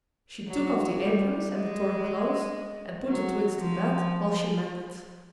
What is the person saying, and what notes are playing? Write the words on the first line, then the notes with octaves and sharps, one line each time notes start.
She took off the aprons and the torn clothes and put the Twins to bed while she mended.
F#3
G3
G#3
F#3
F3